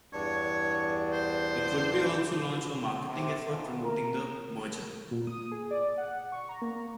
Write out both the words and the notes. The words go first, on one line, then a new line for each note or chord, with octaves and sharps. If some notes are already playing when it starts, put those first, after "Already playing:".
It would also launch a marketing effort promoting the merger.
E2 G2 D4 C#5
C5
C3
A#2 D#3 E3 A3 B3 F4
A#4
A#2
D#6
G#4
D5
F#5
C#6
A#5
A#3